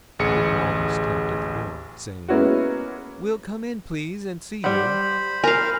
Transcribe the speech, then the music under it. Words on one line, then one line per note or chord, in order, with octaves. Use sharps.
Lady Knollys tapped at the door, saying--'we'll come in, please, and see you.
A1 D2 G#4 C#7
G#3 A#3 B3 C#4 E4 F#4
G3 C5 F#5 B5
A#4 F5 G#5 A#5